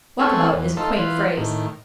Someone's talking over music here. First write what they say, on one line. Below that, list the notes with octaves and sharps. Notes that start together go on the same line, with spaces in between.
Walk about is a quaint phrase.
A3 B3 C4 G#4 A4 C#5
E2
A3 D#4 F4 A4
E3 F4 B4
A2 D#3